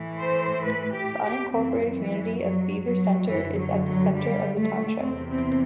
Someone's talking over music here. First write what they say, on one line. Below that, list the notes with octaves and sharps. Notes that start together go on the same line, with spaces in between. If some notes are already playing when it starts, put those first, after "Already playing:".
The unincorporated community of Beaver Center is at the center of the township.
Already playing: A2 E3
C5
B4
G4
G4
F#2 E3 C4
E3
F#3
F#3
F#2 D3 E3
F#3
F#3
G3
A3
E2 C3 E3 C4
C4